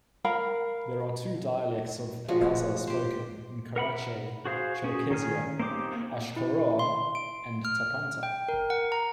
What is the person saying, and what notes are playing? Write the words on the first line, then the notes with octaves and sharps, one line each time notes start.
There are two dialects of Abaza spoken in Karachay-Cherkessia: "Ashkharua" and "Tapanta".
A#4 F5 B5
F3 G#3 F#4
G4 C5
A#4 F#5 B5
F#4 G#4 C5 F5
C#4 F#4 G#4
D#3 C#4 G#4 F6
A#3 C4 D#4 G4 D6
E4
C6
D7
F6
G5
A#4
F#5
A#5